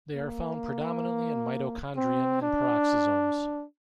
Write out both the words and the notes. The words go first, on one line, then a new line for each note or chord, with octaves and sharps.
They are found predominantly in mitochondrion and peroxisomes.
A#3
C4
D4